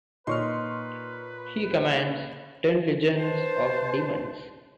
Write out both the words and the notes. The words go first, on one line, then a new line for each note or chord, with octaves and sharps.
He commands ten legions of demons.
A#2 D#4 B4 C#5 C6 C#6 F6
B4 C5 A5